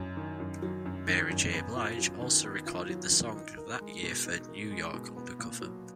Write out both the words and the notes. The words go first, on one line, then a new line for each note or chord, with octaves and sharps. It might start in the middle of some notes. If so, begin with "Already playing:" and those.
Mary J. Blige also recorded the song that year for "New York Undercover".
Already playing: F#2 F#3
D#3
F#2
F#3
F#2
D#3
F#2
B3
F4
F#3
D#3
B3
F4
F#3
D#3
D#4
A#4
G#3
B2
D#4
A#4
G#3
B2
B3
A#2
F#3